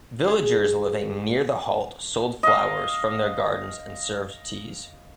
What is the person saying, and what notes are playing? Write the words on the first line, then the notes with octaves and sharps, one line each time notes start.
Villagers living near the halt sold flowers from their gardens and served teas.
C#3 G#4
D#5 F5